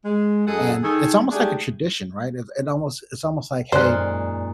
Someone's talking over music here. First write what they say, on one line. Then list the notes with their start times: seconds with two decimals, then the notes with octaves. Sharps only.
and it's almost, like, a tradition, right? It it almost it's almost, like, "Hey,
0.05 G#3
0.47 F#2 G#4 A4 D#5 F#5
0.83 D#3 G#4 A4
1.31 G#3 A3 D4 D#4 G4 G#4
3.72 F#2 A#2 D#3 G#3 C5 D5 F#6